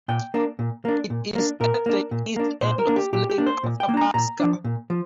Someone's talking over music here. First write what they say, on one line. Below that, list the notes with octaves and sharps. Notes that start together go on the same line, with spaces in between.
It is at the east end of Lake Athabasca.
A#2 G5
A#3 D4
A#2
A#3 D4
A#2
A#3 D4
A#2 A#4
A#3 D4
A#2
A#3 D4
A#2 C5
A#4
A#3 D4
G4
A#2 G4
G4
A#3 D4
C5
A#2
G5
A#3
D4 A#5
A#2 A#5
F3 D4
A#2
F3